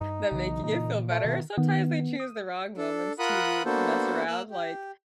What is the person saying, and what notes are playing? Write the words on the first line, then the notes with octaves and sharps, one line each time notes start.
them making it feel better. Sometimes they choose the wrong moments to mess around, like,
G2 D#4
B1 C#3 E3
A#2 D#4
A3
B2 D#3
D#3 B3
D#6
D4 A4
F4 A#4 F#5 B5 D#6 F#6
A#3 B3 D4 F#4 A4 C5
A#3 E6 F#6
G4